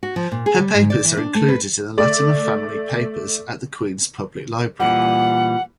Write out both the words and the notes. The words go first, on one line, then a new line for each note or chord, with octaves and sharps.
Her papers are included in the Latimer Family Papers at the Queens Public Library.
F#4
F3
A#2
G#4
G3
G#2
D5
E3
D4
A3
B4
A3 D5
A#2 E3 G3 F#5